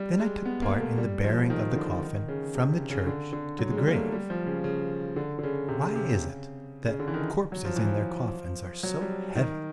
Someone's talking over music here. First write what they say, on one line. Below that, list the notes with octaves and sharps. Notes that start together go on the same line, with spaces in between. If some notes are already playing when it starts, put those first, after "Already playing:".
Then I took part in the bearing of the coffin from the church to the grave. Why is it that corpses in their coffins are so heavy?
Already playing: G3
G#3
B3
A#3
A3
G3
F3
D#3
D3
D#3
C#3
C3
C#3
C#3
D3
D3
F#3
G#3
G3
A#3
A3
G3
F3
C#3
C#3
D3
D3
C#3
C3
C#3
C3
C#3
C#3
D3
E3
D#3
F#3
F3
E3
F3
F#3
G3
D#3